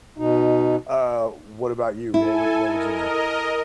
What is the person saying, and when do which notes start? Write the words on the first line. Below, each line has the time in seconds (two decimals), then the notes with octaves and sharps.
Uh, what about you? What would what would you do?
0.18 B2 D#4
2.14 E4 A4 G#5
2.62 A#4 D#5